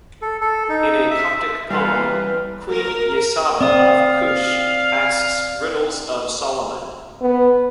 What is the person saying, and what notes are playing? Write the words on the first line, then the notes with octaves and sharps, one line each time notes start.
In a Coptic poem, queen Yesaba of Cush asks riddles of Solomon.
A4
A4
D#4
E5
E3 G3 C#4 A4 B4 F5
A#4
C4 D5 F5 D#6
B3